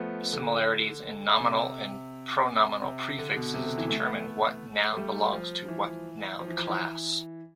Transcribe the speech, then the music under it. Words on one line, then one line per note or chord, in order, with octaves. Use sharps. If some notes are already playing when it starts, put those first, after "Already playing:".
Similarities in nominal and pronominal prefixes determine what noun belongs to what noun class.
Already playing: F3 A3 B3
D3
C3
C3
D3
B2
C3
D3
E3
A3
B3
A3
A3
G3
F3
E3
F3
E3
F3
E3